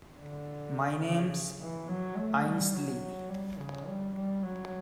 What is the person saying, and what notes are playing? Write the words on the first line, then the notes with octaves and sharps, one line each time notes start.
My name’s Ainslie.
D3
C#3
E3
F#3
A3
G3
F#3
G3
C#3
G3
G3
F#3